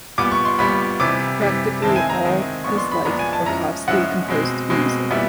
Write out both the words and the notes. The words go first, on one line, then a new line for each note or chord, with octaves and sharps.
Practically all his life Berkovsky composed music.
A#2 G3 B3 D6
C#6
C6
A#2 G3 B3 B5
C3 E3 G3 D6
C3 E3 G3
D#3 G#3 C4 E4 A5
G#5
A#5
D#3 G#3 C4 E4
A#2 F3 G#3 B3 D4 C#6
C6
B5
A#2 F3 G#3 B3 D4 A#5
G#5
A5
F3 G#3 C#4 E4 A#5
F3 G#3 C#4 E4 F#5
B2 G#3 C4
B2 G#3 C4
A#2 G3 B3 E4